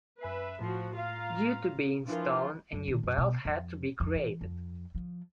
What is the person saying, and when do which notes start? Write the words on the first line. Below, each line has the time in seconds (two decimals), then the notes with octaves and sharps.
Due to being stolen a new belt had to be created.
0.21 F#2 B4 E5 G#5 C7
0.61 A2 F3 F#4 C7
0.95 F4 F5 A#5
2.08 E3 F3 D4 E4 F4 A#4
2.73 F#2
2.87 D#3
3.03 F#2
3.18 B2
3.45 F2
4.00 F2
4.15 E3
4.41 F2
4.95 F3